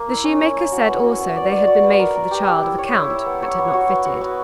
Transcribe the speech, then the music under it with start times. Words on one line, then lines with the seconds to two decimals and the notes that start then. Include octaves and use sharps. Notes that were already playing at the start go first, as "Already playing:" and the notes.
The shoemaker said also they had been made for the child of a count, but had not fitted.
Already playing: A#3
0.09 E4
0.24 C#4
0.41 E4
0.56 A#3
0.72 F#4
0.88 B4
1.04 F#4
1.20 B3
1.36 D5
1.52 D5
1.67 F#4
1.84 B4
1.99 A#4
2.16 A#4
2.31 G4
2.47 G4
2.63 E4
2.78 C#5
2.95 E4
3.10 E4
3.26 B3
3.42 C#5
3.58 B3
3.74 F#4
3.89 B3
4.05 F#4
4.21 B3